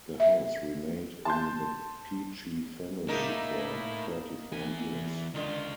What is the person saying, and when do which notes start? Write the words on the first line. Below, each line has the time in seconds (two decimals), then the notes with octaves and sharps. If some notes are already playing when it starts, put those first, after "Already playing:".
The house remained in the Peachey family for thirty-four years.
0.20 E5
1.25 A5 C6 G6
3.08 A3 A#3 D#4 E4 A#4
4.52 E2 G#5
5.34 C#2 D3 D#3 F4